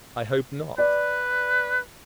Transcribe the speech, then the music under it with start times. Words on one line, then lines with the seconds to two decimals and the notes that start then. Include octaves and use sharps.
"I hope not."
0.78 B4 D5